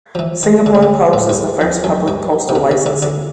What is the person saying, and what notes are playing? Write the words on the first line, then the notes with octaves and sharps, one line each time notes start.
Singapore Post is the first Public Postal Licensee.
F3
E3
D#3
D3
C#3
D3
A2
G2
F2
F#2
G2
C3
B2
C3
D3
D3